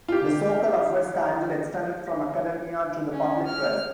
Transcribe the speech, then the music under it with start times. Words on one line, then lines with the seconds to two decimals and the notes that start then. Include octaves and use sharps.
The Sokal Affair scandal extended from academia to the public press.
0.08 F4 G4
3.12 C#4
3.46 F6